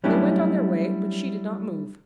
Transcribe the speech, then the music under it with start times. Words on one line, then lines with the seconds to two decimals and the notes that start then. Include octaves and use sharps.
They went on their way, but she did not move.
0.04 F#3 G3 A3 C#4 D4 E4